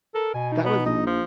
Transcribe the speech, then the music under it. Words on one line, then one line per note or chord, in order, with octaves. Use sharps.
That was
A4 A#4
B2 G#5
D#4
B3
A#1 D#5
F3